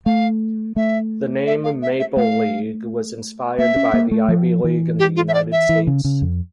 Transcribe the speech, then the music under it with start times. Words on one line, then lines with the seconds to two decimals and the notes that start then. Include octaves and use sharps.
The name "Maple League" was inspired by the Ivy League in the United States.
0.06 A3 F5
0.76 A3 E5
1.47 E5
1.64 F5
1.82 E5
1.99 E5
2.17 A3 F5
3.58 A#3 E5
3.76 C#4
3.94 A#3
4.11 A3
4.28 F3
4.64 E3
4.99 G4
5.16 F4
5.28 E5
5.34 D5
5.52 E5
5.69 E3
5.87 C#3
6.05 C#3
6.22 F2